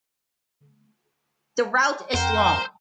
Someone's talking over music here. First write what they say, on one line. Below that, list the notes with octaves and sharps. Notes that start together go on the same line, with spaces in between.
The route is long.
F2 A#4 C5 F#5 G5